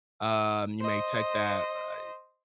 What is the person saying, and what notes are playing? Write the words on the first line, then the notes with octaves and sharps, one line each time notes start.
um, you may check that, uh,
C5 D#5